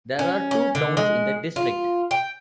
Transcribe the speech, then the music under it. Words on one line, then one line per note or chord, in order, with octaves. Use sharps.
There are two towns in the district.
C#4
C#4
D3
G#3
F4
G5